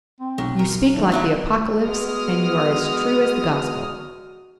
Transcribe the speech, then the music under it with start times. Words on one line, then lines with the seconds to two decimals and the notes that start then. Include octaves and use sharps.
You speak like the Apocalypse, and you are as true as the Gospel.
0.20 C4
0.38 B1 F#3
0.59 A#4
0.94 D#3 F#3 A3 D4
1.12 F#3 B3 F4 D#5 E5
1.85 G#3 B3 F#4 D#6 F6